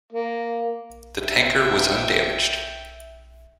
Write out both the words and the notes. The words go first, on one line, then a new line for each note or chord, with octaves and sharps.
The tanker was undamaged.
A#3
E5 G5